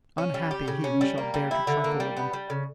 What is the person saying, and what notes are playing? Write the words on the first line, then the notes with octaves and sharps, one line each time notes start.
Unhappy he who shall dare to trifle with them!
C#4
G3
G4
C#3
C#4
G3
A#3
G3
E4
D3
A#3
G3
B3
G3
C#3